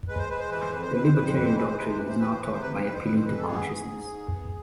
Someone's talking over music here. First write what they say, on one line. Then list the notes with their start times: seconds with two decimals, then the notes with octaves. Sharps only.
The libertarian doctrine is now taught by appealing to consciousness.
0.08 G#3 B4
0.19 C5
0.29 G#3 B4
0.40 C5
0.50 E3 B4
0.60 C5
0.71 F2 B4
0.82 C5
0.93 F2 B4
1.03 C5
1.14 F2 B4
1.24 C5
1.34 E3 B4
1.45 C5
1.56 G#3 B4
1.67 C5
1.77 C3 B4
1.88 C5
1.98 E3 B4
2.09 C5
2.19 C3 B4
2.30 C5
2.40 C3 B4
2.51 C5
2.61 F2 B4
2.73 C5
2.83 F2 B4
2.94 C5
3.04 F2 B4
3.15 C5
3.25 E3 B4
3.38 A4
3.46 B3 G#4
3.67 G#2
3.88 G#2
4.09 G#2
4.30 B3